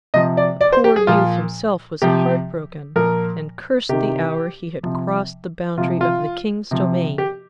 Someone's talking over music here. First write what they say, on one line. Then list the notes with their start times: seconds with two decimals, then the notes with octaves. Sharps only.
The poor youth himself was heart-broken, and cursed the hour he had crossed the boundary of the King's domain.
0.14 C3 F3 D#5
0.37 D5
0.61 D5
0.72 C5
0.84 G4
0.96 G#4
1.07 A#2 F3 F4
2.02 C3 F3 G4
2.96 A#2 F3 A#4
3.89 C3 D#3 G4
4.83 C3 F3
5.77 C3 F4
5.81 F3
6.01 F4
6.71 C3 F3
7.18 G4